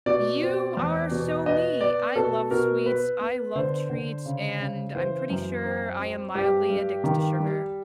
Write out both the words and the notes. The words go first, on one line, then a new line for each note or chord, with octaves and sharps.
You are so me. I love sweets, I love treats, and I'm pretty sure I am mildly addicted to sugar.
B2 D5
C4
E2
B2
B3 D#5
B3 D5
B2 A4
B2 A#4
B3 B4
B3
D3 C5
D3
C#3
C#3
E3 C5
F#2
C4
C4
G2 G4
G2
D#3
G3